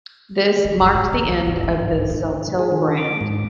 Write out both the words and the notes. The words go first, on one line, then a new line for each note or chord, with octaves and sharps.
This marked the end of the Celtel Brand.
C#4
F1
A2
D#3
D#2
G#1
C4
G#2
G#2
A3
G#4
D#3
D6
G#2